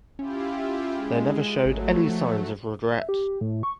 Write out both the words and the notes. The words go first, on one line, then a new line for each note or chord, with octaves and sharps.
They never showed any signs of regret.
C#4 E4 F4 G4
G#3
G#1 F#3 A3
F3
E5
G4
A2
C#6